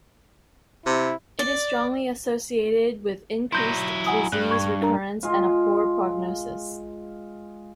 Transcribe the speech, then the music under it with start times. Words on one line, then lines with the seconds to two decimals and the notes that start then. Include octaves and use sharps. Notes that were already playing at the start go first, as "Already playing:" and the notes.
It is strongly associated with increased disease recurrence and a poor prognosis.
0.86 C3 E4
1.39 D5
3.52 F#3 E4 C6 G6 A#6
4.06 F#5 G#5 D#6
4.32 G2 F#6
4.51 C#6 G#6
4.81 D4 A#4 A#5
5.23 G#3 F4